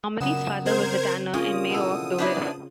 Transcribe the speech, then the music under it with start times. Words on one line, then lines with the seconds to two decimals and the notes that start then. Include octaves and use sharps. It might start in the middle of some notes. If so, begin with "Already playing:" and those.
Mummery's father was a tanner and mayor of Dover.
0.21 F#2 A#2 C#3 B3 E7
0.65 C4 A#4 C5 G#6
1.34 A#3 C#4 F4 G#4 C#5 D#6
1.70 B2 E3 A4
2.18 B3 D4 E4 C5